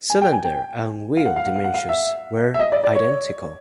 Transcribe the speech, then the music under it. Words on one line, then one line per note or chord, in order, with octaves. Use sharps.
Cylinder and wheel dimensions were identical.
G#5
G5
G#5
G5
F5
F#5
F5
F#5
F5
F#5
F5
E5
E5
D#5
D5
D5
C#5